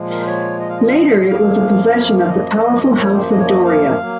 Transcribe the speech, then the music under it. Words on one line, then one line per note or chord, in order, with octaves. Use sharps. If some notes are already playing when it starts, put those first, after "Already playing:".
Later it was a possession of the powerful House of Doria.
Already playing: A#2 F3 G#3
A#4
C5
C#5
D#5
F5
D#5
F5
D#5
F#2 F3 A#3 F5
F5
D#5
F#2 F3 A#3
C#5
C5
D#5
C#5
D#5
F5
F#3 A#3